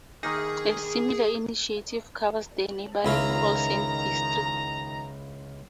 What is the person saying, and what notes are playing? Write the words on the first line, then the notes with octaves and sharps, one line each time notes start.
A similar initiative covers the neighbouring All Saints district.
D#3 A#3 D#4 G#4
C#2 D#3 E4 F4 A#5